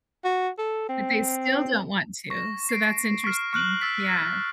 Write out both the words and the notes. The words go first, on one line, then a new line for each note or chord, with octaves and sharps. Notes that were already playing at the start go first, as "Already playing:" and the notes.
But they still don't want to. So that's interesting, yeah.
F#4
A4
C4
C#6 A#6
C7 D7
C#6 F6
C#6 F6 F#6 F#7
E6 A6 B6